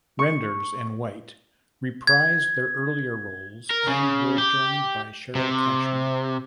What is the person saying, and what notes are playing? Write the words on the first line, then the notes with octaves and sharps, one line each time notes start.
Renders and White reprised their earlier roles and were joined by Cheryl Cashman.
C#6
G#6
A#4
C#3
G4
C3